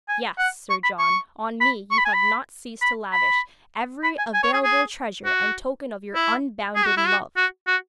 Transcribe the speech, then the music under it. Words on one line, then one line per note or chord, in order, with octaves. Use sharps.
Yes, Sir John, on me you have not ceased to lavish every available treasure and token of your unbounded love.
G#5
F#5
C#6
B5
C#6
B5
C#6
B5
G#5
B5
B5
B5
B5
G#5
G#5
C#5
G#4
G#4
F#4
E4
G#4
F#4
E4
F#4
F#4
F#4